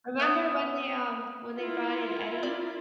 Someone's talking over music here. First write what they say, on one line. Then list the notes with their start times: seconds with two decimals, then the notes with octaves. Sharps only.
I remember when they, um when they brought in Eddie,
0.20 B3 E5 G6
1.54 E4 F4 A#4
2.43 D5